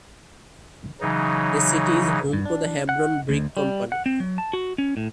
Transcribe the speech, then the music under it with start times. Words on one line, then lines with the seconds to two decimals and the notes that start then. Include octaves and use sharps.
The city is home to the Hebron Brick Company.
1.01 C#3 E3 F#3 D#4
2.33 G2
2.45 D4
2.89 F#5
3.29 D2
3.57 G3
3.92 F#5
4.06 C4
4.20 F#3
4.38 A5
4.53 F#4
4.78 C#4
4.97 A2